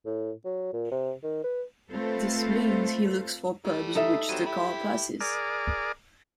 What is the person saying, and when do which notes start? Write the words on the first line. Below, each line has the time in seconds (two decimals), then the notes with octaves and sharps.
This means he looks for pubs which the car passes.
0.06 A2
0.45 F#3
0.73 A#2
0.91 C3
1.23 D#3
1.44 B4
1.91 A3 C4 F4 A4 B4 C5
3.65 G3 A3
3.95 D#4 A4 E5
4.29 F#3 G3 C4 D#7 E7
4.46 E4 G4 B5
5.21 G#4 A#4 D5